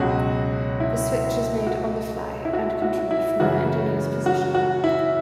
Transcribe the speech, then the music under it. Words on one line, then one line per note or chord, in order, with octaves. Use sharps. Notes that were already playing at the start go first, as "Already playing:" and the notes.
The switch is made "on the fly", and controlled from the engineer's position.
Already playing: C#2 B2 F#3 F#4
E4
F#4
E4
F#4
F#4
E4
F#2 C#3 E3 F#4
F#4
F#4
E4